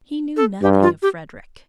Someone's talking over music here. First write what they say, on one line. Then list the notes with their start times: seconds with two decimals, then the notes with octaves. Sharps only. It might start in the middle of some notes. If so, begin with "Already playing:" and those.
He knew nothing of Frederick.
0.37 A4
0.62 G2 G4
0.82 F4
1.02 G4